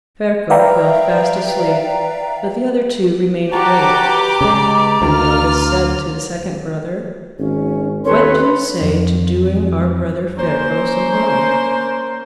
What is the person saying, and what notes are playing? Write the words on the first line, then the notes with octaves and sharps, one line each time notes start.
Ferko fell fast asleep, but the other two remained awake, and the eldest said to the second brother, 'What do you say to doing our brother Ferko some harm?
B4 D5 E5 F5 G5 A#5
F#4 G4 B4 D5 A5 A#5 D6
C#3 G#3 D5
D2 F4 F6
G#1 C#4
D#2 C4 C#4 A4 B4 C#5 C6
F2
A#3 C#4 C5